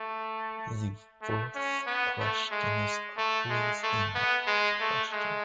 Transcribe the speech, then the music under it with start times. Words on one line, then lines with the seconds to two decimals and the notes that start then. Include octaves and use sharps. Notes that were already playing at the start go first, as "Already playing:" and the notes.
The fourth question is always a math question.
Already playing: A3
1.21 A3
1.55 C#4
1.87 B3
2.20 A3
2.52 G#3
3.17 A3
3.50 G#3
3.83 A3
4.15 B3
4.47 G#3
4.80 A3
5.13 G#3